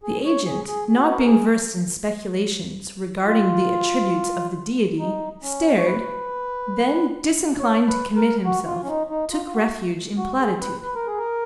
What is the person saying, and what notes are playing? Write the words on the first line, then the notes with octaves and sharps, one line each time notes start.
The agent, not being versed in speculations regarding the attributes of the Deity, stared; then, disinclined to commit himself, took refuge in platitude.
G#4
C#5
G#4
G#4
G#4
F#4
B4
A#4
G#4
F4
D#4
C#4
C#5
B4
C#5
B4
A#4
F#4
F4
C#4
D#4
D#4
F4
F4
F#4
F#4
G#4
B4
B4
A#4
G#4
A#4